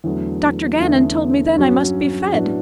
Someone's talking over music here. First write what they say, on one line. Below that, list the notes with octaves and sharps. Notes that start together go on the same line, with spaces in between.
Dr. Gannon told me then I must be fed.
E2 D3 F#3 A3
E2 D3 A3 C#4
G2 F#3 C#4 F#4
A2 F#3 B3 D4 F#4